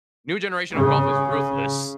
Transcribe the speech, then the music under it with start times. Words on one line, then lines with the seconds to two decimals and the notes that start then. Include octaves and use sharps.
New generation of golf is ruthless.
0.73 C#3